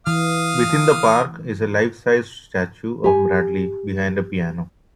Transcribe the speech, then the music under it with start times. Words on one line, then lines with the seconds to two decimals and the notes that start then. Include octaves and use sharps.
Within the park is a life-size statue of Bradley behind a piano.
0.07 E3 F5 D#6 F6
3.04 G4 G#5